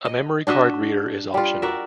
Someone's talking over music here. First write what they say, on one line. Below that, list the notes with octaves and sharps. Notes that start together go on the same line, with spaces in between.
A memory card reader is optional.
D#5
D4 F#4 D#5 E5
G3 F4
F#4 A#4 D5 E5